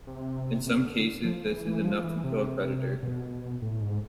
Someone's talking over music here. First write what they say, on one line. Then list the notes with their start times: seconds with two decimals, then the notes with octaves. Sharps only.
In some cases this is enough to kill a predator.
0.07 C3
0.67 C3
0.86 D3
1.25 F3
1.45 E3
1.65 E3
1.84 F3
2.04 E3
2.24 C3
3.03 B2
3.62 A2
3.81 G#2